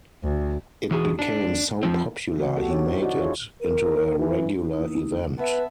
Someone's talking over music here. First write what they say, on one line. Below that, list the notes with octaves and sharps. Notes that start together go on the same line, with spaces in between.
It became so popular he made it into a regular event.
D2
E3 F#4 G#4
D4
F2 F3 C4
E3 A3 F#4
B3 F#4 G4 A4
D4 D#4 F#4 C#5
E4 C5
D4 F#4 D5 D#5
D4 E4 F4 G#4 A4 C#5
A#4
E3
A#3 D#4 E4
B3 B4 E5 A5